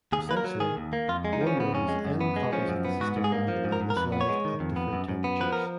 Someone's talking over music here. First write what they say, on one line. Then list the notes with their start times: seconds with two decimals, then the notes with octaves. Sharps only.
Essentially, one runs "N" copies of the system, randomly initialized, at different temperatures.
0.12 D#2 G#4
0.29 A#3 B4
0.37 A#4
0.44 F#3
0.60 D#3 G#4
0.77 D#2
0.93 A#3
1.08 F2 F4
1.25 G#3
1.33 D#4
1.41 F3
1.47 C#4
1.57 C#3 B3
1.73 F2 C#4
1.88 G#3
2.05 F#2
2.21 B3
2.36 G#3
2.52 F3 C#4
2.69 F#2
2.85 B3
3.00 G#2 F#4
3.16 G#2
3.24 G#4
3.32 A#3
3.48 F3
3.65 G#2
3.72 A#4
3.81 G#2
3.90 A#4
3.96 F2 B4
4.12 B3
4.21 C#5
4.29 G#3
4.45 D#3
4.60 F2
4.76 B3
4.93 F#2
5.09 F#2
5.24 B3
5.40 F3 B4
5.53 A#4